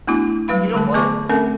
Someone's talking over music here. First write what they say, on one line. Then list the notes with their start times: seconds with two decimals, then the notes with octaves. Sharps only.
"You know what?
0.07 A3 B3 D4 E4 F#4
0.48 F#3 G3 B4 F5 B5
0.74 D3 G3 A3 A5
0.94 B3 G#4 A5 C#6 D6
1.29 A3 C4 C#4 A4 A#4 E5